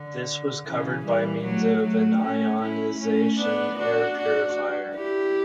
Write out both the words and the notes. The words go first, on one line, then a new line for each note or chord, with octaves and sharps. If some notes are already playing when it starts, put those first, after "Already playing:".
This was covered by means of an ionisation air purifier.
Already playing: D3
C#3 E3
E3 G3
F#3 A3
F#3 A3
A3 C#4
C#4 E4
A3 C#4
B3 D4
D4 F#4
D4 F#4
E4 G4